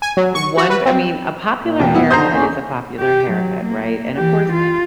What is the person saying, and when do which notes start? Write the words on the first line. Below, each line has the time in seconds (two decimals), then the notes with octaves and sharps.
one I mean, a popular haircut is a popular haircut, right? And, of course,
0.02 G#5
0.17 F#3
0.35 C#6
0.57 F#4
0.70 B4
0.86 C4
1.60 A#2
1.80 E2 B2 G5
1.94 B3 E4
2.11 D3 D#3 C5 A#5 D#6 G6 C7
2.32 E2 A#3 C#4
2.99 G4
3.31 F#3
3.65 A#3
4.16 E3 G4
4.53 F4